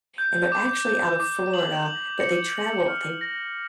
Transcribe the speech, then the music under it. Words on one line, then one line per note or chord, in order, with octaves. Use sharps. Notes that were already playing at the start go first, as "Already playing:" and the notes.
and they're actually out of Florida, but they travel. They
G6
D6
G6
D6
F#7
F#7
C#7
F#7
F6
A#6